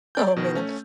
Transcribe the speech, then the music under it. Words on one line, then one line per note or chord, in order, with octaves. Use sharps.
Oh, man.
D5 G6
B2 D#3
A3 C#4